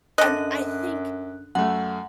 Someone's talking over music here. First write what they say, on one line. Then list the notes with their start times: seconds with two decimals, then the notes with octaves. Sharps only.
and I think
0.18 F#2 D3 D#5 F#6
1.55 F#2 A3 F#5